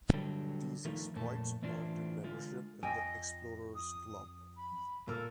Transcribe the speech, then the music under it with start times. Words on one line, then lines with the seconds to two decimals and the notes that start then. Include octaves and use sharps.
These exploits earned him membership in The Explorers Club.
0.13 D3 F#3 G3 D4 A4
0.85 D#3 F3 A3 D#4
1.15 F2 A#2 A3 A5
1.62 E3 A3 C4 D4 E4 F4
2.24 D3 G#3 F4
2.83 F2 D#5 G5 G#5
3.75 D#6
4.57 B5
5.08 A#2 A#3 A4